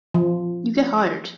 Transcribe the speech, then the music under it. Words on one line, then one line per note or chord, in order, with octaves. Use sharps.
You get hired.
F3